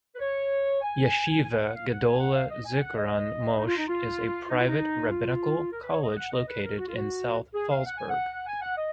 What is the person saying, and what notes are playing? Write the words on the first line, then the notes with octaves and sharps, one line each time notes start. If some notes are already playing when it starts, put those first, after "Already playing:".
Yeshiva Gedolah Zichron Moshe is a private rabbinical college located in South Fallsburg.
B4
C#5
G#5
G#5
F#5
F5
F#5
G#5
F#5
F5
D#5
G#5
F#5
D#5
D#4
F4
D#4
F4
D#4
F4
D#4
F4
A#4
B4
C#5
D#5
F#5
D#5
B4
A#4
F#4
F4
F#4
G#4
F5
F#5
G#5
F#5
G#5
F#5
D#5